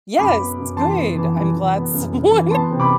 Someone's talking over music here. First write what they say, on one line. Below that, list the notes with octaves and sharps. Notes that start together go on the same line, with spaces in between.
Yes, good, I'm glad someone
F#2 B5 D6
B3
F#2
E3 A5 C6
B3
E3
E3
E3
B3
F#2
F#2
E3
B3 A5 C6
C3
B5 D6